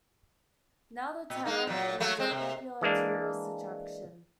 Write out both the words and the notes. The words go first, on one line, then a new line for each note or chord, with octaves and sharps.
Now the town is a popular tourist attraction.
A#2
G#3 A#3 D#4
A#2 F#3
F#3 A3 A#3
G#3 C4
C3
E3 G#3 A#3 D4